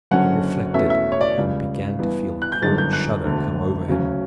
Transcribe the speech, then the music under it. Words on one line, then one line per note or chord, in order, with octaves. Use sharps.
He reflected, and began to feel a cold shudder come over him.
F#1 F#2 D3 F#3 C#4 F#5
E2 B2 A3 C#4 E5
E5
C#5
D5
C#2 C#3 G3
G2 E3 B3
F#6
G6
G1 F#2 D3 A6
G6
F#6
E1 D2 D3
D2 C#3 F#3 C#4